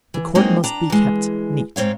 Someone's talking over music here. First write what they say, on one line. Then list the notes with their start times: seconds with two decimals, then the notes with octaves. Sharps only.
The court must be kept neat.
0.14 E3
0.35 F#3 G#3 A#3 C4 D#4
0.64 D4 A#5
0.90 E3 G#3
1.76 G#2 C4 C#5 F5